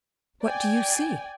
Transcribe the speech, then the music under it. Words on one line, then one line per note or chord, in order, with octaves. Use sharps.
"What do you see?"
D5 G5 G#5